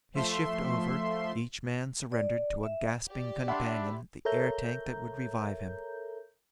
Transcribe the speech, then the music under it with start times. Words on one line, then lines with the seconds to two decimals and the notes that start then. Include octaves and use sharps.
His shift over, each man surrendered to a gasping companion the air tank that would revive him.
0.14 F3 A3 E5 C6
2.12 D5
2.63 E5
3.09 G4 D5
3.48 D4 E5 F#5 B5 C6
4.25 A4 A#4 C#5 E5 A#5 G6